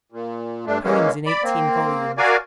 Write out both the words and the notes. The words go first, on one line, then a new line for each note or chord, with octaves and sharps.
Poems in eighteen volumes.
A#2
G2 A3 D4
E3 G#3 A#3 C#4
D5 B5
A#3 C4
F#4 A#4 D5 F5 G#5